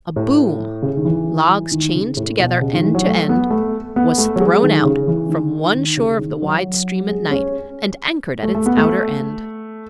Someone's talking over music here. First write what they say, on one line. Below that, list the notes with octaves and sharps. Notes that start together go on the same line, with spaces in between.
A "boom", logs chained together, end to end, was thrown out from one shore of the wide stream at night, and anchored at its outer end.
A2
C#3
D#3
E3
D#3
C#3
A2
B2
C#3
D#3
E3
F#3
A3
B3
A3
B3
A3
F#3
G#3
D#3
C#3
E3
D#3
D#3
C#3
D#3
F#3
G#3
C#4
A3
A3
B3
A3